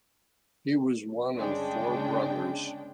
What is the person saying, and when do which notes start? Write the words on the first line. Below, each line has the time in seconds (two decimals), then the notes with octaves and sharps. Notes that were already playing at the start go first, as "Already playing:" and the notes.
He was one of four brothers.
1.35 G1 C#3 G#3 D4 G5